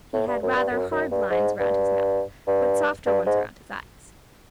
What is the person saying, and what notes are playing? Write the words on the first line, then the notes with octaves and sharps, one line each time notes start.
He had rather hard lines around his mouth, but softer ones around his eyes.
A2
G2
F#2
G2
F#2
F#2
G2
G#2
G2
G2
G2
G#2